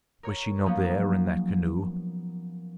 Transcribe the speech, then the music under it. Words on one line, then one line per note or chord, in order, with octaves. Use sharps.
Was she not there in that canoe?
A#4 C#5
F3 F#3 A#3 B3 C#4 D#4